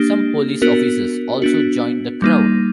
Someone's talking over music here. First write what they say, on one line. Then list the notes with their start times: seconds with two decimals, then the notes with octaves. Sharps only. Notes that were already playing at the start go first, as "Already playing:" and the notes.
Some police officers also joined the crowd.
Already playing: A#3 D4 G4
0.62 B3 D4 F#4 A#4
1.42 B3 D4 F#4
2.22 G3 A#3 D#4